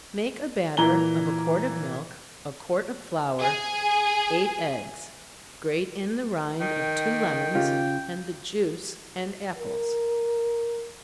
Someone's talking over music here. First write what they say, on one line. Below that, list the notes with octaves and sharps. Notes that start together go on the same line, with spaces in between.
Make a batter of a quart of milk, a quart of flour, eight eggs--grate in the rind of two lemons, and the juice and apples.
A#2 E3 A#5 G7
G#4 G#5
D#3 G5
C#3 F4 G4
A#4